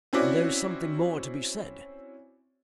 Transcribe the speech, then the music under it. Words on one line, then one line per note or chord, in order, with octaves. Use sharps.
And there is something more to be said.
C4 C#4 E4 F#4 D5